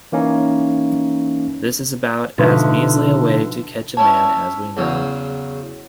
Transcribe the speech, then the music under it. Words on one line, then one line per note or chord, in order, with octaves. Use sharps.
This is about as measly a way to catch a man as we know.
E3 A#3 C#4 D#4
B2 D3 F3 D#4 E4 B4
C#4 E4 C#5 A5
E2 C#3 F#3